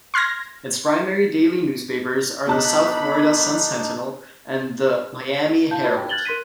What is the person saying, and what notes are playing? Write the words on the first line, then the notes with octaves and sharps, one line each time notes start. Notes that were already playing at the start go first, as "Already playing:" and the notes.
Its primary daily newspapers are the "South Florida Sun-Sentinel" and "The Miami Herald".
C6 F6 G#6 A#6
B2 D4 D#4 A4 A5 B5 F#6
E4 F5 A5 G6
F4 F#4 B4 A5 B5
G5
F6 F#6 G#6 A6 F#7 G7
A#4 C6 F#6 B6 D#7